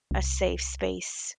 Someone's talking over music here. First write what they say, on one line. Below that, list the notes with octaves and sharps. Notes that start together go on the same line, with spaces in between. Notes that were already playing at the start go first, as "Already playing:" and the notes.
a safe space
C2